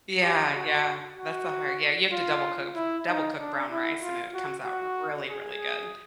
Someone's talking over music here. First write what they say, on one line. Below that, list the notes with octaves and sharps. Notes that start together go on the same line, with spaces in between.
Yeah, yeah, that's the hard yeah, you have to double coo f double cook brown rice, and it comes out really, really good.
G4
F#4
F#4
F4
E4
D#4
D4
E4
F4
F#4
F#4
G#4